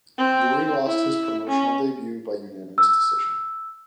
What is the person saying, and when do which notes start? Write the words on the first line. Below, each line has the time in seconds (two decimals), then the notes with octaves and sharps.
Yuri lost his promotional debut by unanimous decision.
0.18 C4
0.86 E4
1.47 C#4
2.78 E6